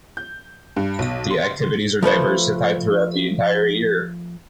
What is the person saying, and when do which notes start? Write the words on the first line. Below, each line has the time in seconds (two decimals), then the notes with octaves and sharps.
The activities are diversified throughout the entire year.
0.17 G6
0.76 G2
0.99 B1
1.31 C6
2.02 F3 A3 B4 C5